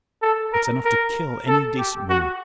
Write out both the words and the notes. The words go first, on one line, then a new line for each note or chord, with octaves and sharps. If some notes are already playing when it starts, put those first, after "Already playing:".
It's enough to kill any decent woman.
A4
A#4
A#4
A4
G4
F#4